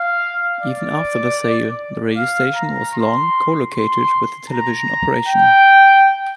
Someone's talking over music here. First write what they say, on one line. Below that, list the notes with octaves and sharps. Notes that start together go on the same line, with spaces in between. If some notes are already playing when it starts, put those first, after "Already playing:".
Even after the sale, the radio station was long co-located with the television operation.
Already playing: F5
D5
F5
A#5
C6
C6
A#5
G5